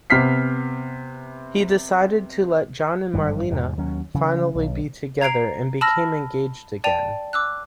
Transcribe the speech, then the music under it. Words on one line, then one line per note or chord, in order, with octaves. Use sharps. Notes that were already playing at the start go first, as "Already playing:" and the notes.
He decided to let John and Marlena finally be together and became engaged again.
C3 B3 F6 B6 C7
G#1 G2 F3
E2 G#2 C3
D#2 F#3 C#4
C#3 E3 F#3
B1
A#5 G#6 C7 D7 F7
A5 B5 E6 F6 A#6
D5 G5 A5 D#7 F7
D6 E6 F#6